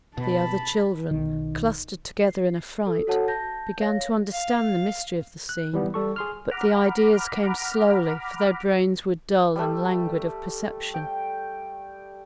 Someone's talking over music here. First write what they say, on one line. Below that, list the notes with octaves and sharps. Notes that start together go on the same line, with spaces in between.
The other children, clustered together in affright, began to understand the mystery of the scene; but the ideas came slowly, for their brains were dull and languid of perception.
B2 A5 B5
B1 D#3
C7
A4
F#4 A4 C#5 F#5 A5
A5 G6 A#6
C#5 F5 A#6
F5
F#6
E3 G3 B3
G3 A4 C#6
G#4 C6 F6
F#5 A#5 B5 D6 F6
G3 A3
G5